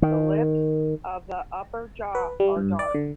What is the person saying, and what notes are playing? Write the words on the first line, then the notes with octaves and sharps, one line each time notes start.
The lips of the upper jaw are dark.
D#3
B4
G3
G2
D5
D3